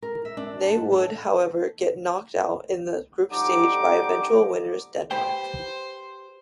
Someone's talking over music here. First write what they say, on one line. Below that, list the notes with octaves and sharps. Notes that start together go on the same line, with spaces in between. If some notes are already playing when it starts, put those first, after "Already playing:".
They would, however, get knocked out in the group stage by eventual winners Denmark.
A#4
E5
D4
A5
G#2
A4
F2 D3 G3 D#4 D6
G4 B4 C5 G5